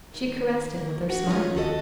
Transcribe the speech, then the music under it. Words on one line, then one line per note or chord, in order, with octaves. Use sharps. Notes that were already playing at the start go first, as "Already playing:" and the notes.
She caressed him with her smile.
D#3
A#3
D4 F#4
C#4 F4 A4 D#5
D#2 F#4 A4 D#5